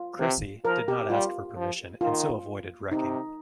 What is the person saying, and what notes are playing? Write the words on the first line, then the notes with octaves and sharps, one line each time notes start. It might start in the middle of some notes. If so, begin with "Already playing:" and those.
"Cressy" did not ask for permission and so avoided wrecking.
Already playing: F4
C3
F3 A#4
G4
G3 F4
F3
D#3 F4
C3 D#4